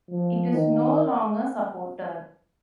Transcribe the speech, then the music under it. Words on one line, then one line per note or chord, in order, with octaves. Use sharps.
It is no longer supported.
F3
D#3